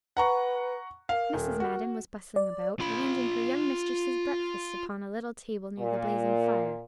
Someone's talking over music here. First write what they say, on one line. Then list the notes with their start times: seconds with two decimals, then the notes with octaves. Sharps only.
Mrs. Madden was bustling about, arranging her young mistress's breakfast upon a little table near the blazing fire.
0.17 B4 F#5 A#5 C#6
1.09 A#4 F5
1.34 D#1
1.60 F#4
2.36 D5
2.79 F4 B5
5.79 A#2